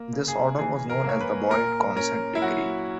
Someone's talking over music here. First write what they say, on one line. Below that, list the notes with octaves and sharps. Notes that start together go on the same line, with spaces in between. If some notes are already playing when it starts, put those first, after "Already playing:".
This order was known as the Boyd Consent Decree.
Already playing: A#3
C#3
G#4
E3 G#4
A#4
A#3 C#5
B4
A#2 A#4
C#4 A#4
E4
F#3 F#4